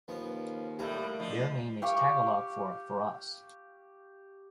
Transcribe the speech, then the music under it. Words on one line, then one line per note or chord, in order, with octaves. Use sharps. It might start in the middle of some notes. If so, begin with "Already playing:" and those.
Their name is Tagalog for "for us".
D#2 F3 B3 C#4 B4
A2 G3 A3 G4 A#4 E5 F5 A#5
D2 F3 D4 D#5
G4 F5 C#6 D6